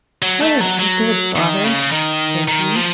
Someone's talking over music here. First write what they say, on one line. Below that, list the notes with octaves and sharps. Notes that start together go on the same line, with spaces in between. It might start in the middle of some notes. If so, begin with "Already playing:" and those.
'Where is the good, father?' said he.
F#3
A3
F#3
F#3
D#3
C#3
D#3
D#3
F3